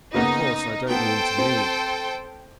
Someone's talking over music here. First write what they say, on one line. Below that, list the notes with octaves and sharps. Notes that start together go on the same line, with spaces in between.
"Of course I don't mean to me."
C#3 A#3 B3 D#4
B3 A4 C5 G5
C4